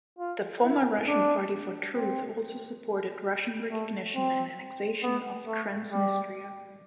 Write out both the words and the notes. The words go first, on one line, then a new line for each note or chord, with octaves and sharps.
The former Russian party For Truth also supported Russian recognition and annexation of Transnistria.
F4
E4
D4
C4
A3
C4
B3
A3
G3